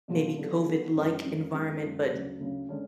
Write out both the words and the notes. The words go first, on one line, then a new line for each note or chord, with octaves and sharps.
maybe COVID-like environment but
B2 F#3 A3 F4 A4
D3 F#3 B3 F4 A4
D3 F#3 B3 F4 A4
F#2 F3 G#3
F#2 F3 G#3
F#2 F3 G#3 B3
F#2 F3 G#3 B3
D2 C#3 F#3 C#4
D2 C#3 F#3 C#4
D3 G#3 C#4